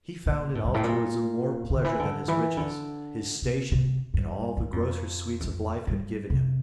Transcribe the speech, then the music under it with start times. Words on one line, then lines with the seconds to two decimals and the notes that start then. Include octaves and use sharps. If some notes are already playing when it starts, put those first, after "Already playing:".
He found in altruism more pleasure than his riches, his station and all the grosser sweets of life had given him.
0.26 A#2
0.55 A2
0.65 G2
0.74 A2
0.84 A#2
1.70 D3
1.84 E3
1.99 D3
2.28 E3
2.57 D3
3.42 C3
3.72 C3
4.14 G2
4.57 G2
4.72 F2
5.40 E2
5.44 F2
5.87 G2
6.30 C3